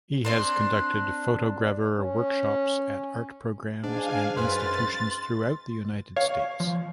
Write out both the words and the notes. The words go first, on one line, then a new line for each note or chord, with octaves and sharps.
He has conducted photogravure workshops at art programs and institutions throughout the United States.
C4 D4 C6
C#4
G#2 D4 F5 G#5
F#2 B4 C6 F6 A6
C#5 F5
F3